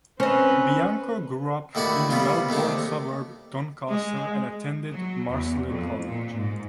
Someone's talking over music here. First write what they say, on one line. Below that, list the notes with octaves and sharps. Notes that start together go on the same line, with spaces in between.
Bianco grew up in the Melbourne suburb Doncaster and attended Marcellin College.
C4 C#4 B4 C5 D#5
D#2 A2 E4 F#4 D5 B5
C3 G3 B3 F4
D#2 C3 A3 D4
G#3
F#3
E2
F2
A#2
G#2